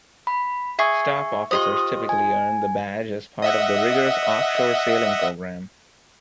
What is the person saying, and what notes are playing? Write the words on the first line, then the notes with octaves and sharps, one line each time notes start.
Staff officers typically earn the badge as part of the rigorous off-shore sailing program.
B5
G#4 E5 G#5 C#6
F4 G4 C5 D#5 D#6
G#5
D#5 E5 F#5